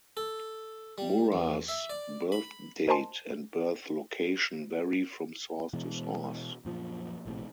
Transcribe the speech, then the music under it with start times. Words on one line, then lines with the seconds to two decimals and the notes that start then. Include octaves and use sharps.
Murrah's birth date and birth location vary from source to source.
0.17 A4
0.98 G3
1.32 E2
1.68 E5
1.90 D5
2.32 B5
2.88 A#4 C5 D#5 G#5 A5 C6
5.73 B2 E3 G#3
6.65 F#2 A#2 F3
7.26 A#1 A2 C3